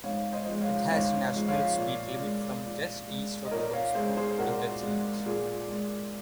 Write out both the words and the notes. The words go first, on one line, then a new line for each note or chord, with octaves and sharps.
It has National Speed Limit from just east of Goresbrook Interchange.
G#2 C#5 F5
C5 D#5
F3 G#3
C#5 F5
G#2 C#5 F5
F3 G#3
C#5 F5
A#2
G#3
A#2
G#3
D#5
A#2 A#4 C#5
C#5 F5
G#3 G#4 C5
G#4 C5
A#2 F#4 A#4
G#3
A#2 F4 G#4
G#3